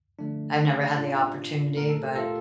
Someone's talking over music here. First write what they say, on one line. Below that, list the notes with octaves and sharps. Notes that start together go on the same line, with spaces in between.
I've never had the opportunity, but
D3 F3 A3 D4
A2 G3 D4 F4
A#2 A3 A#4
A4
G4
F4 A4